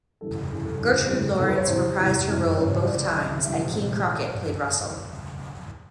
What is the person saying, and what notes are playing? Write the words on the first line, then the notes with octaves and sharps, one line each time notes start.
Gertrude Lawrence reprised her role both times and Keene Crockett played Russell.
C#3 E3 G3 A4
C#3 E3 G3 G#4
A4
C#3 E3 G3
C#3 E3 G3
C3 E3 G3 A4
B4
C#5
C3 E3 G3 C5
C3 E3 G3
C3 E3 G3
C#3 E3 G3 C#5
C#5
C#3 E3 G3 D5
D5
C#3 E3 G3 D#5
E5
C#3 E3 G3 E5
C3 F3